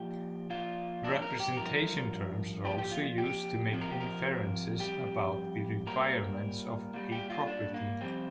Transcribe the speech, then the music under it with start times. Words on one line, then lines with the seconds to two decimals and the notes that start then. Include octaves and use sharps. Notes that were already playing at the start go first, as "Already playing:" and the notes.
Representation Terms are also used to make inferences about the requirements of a property.
Already playing: A#2 F3 G4
0.50 A#2 F3 F4
1.04 D4
1.22 A#4
1.40 G4
1.57 G2 F3 A#4
2.65 A#2 F3 G4
2.78 G4
2.91 F4
3.18 G4
3.72 F2 C3 F3
3.81 A#4
3.91 G4
4.00 A#4
4.79 F2 C3 G3 G4
5.87 A#2 G3 A#4
6.94 A#2 G3
7.12 G4
7.30 F4
7.47 D4
7.74 A#3
8.01 F2 C3 G3 C4